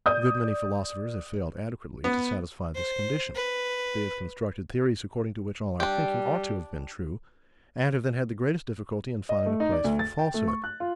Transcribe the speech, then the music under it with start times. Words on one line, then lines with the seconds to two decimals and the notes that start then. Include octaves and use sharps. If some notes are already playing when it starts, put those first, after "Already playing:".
A good many philosophers have failed adequately to satisfy this condition: they have constructed theories according to which all our thinking ought to have been true, and have then had the greatest difficulty in finding a place for falsehood.
0.06 D5 D#6 G6
2.04 B3
2.75 C5
3.35 B4
5.80 G3 D4 G4
9.29 D#5
9.46 A3
9.60 D#4
9.72 D5
9.84 D2
9.99 A6
10.19 G5
10.34 A3
10.48 C#6
10.64 F#6
10.80 F4